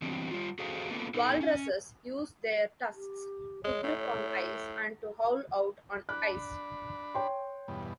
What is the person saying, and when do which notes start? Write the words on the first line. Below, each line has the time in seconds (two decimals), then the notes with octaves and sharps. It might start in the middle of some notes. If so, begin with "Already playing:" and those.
Walruses use their tusks to grip on ice and to haul out on ice.
0.02 E3 F#3 G3 B3 C4 D4
0.31 G3 F4
0.59 F#4 G#4 A4 C5 F5
0.90 A#3 B3 C#4 F4 A4 B4
1.14 B3 D#4 A4
1.41 C#4
2.95 G4
3.64 G#3 C#5
3.83 A2
6.09 D4 B5 F#6
7.15 C#5 G5 C6
7.68 E2 G2 B2